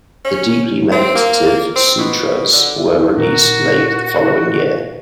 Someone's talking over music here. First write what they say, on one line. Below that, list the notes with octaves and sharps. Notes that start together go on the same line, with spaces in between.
The deeply meditative "Sutras" was released late the following year.
C#4
C4
A#3
C4
B2
D3
A#2 F#4 A#4